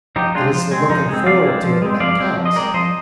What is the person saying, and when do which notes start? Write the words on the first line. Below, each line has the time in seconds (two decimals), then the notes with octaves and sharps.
It is the looking forward to it that counts.
0.16 F3 D#4 G4
0.34 G#3 C4 D4 F4
0.53 F3
0.71 G#3 C4
0.90 F3 D#4
1.08 G#3 C4
1.26 F3 D5 F5
1.45 G#3 C4
1.64 F3
1.82 G#3 C4
2.00 F3 D5 F5
2.18 G#3 C4
2.37 F3
2.46 D#5
2.55 G#3 C4 A#4 D5
2.74 F3 C5 D#5